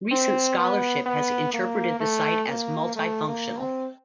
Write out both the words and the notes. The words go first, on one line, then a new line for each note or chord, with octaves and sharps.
Recent scholarship has interpreted the site as multi-functional.
C4
B3
B3
A#3
A3
A#3
A3
A#3
C4